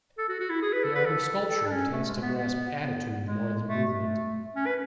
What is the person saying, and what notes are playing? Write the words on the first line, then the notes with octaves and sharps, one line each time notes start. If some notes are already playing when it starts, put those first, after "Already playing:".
The art of sculpture tends to grasp attitude more than movement.
A4
F#4
F#4
E4
G#4
B4
A4
B4
A4
A4
D4
C#4
A3
G#3
B3
B3
B3
G#3
A3
A3
C#4
B4